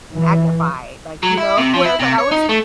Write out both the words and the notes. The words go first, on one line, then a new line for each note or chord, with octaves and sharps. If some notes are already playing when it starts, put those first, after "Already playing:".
magnified, like, you know, where it's like I was
E3
F#3
E4
C3
F3
E4
C3
C#5
D#4
A3